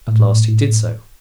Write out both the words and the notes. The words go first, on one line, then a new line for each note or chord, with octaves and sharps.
At last he did so.
A2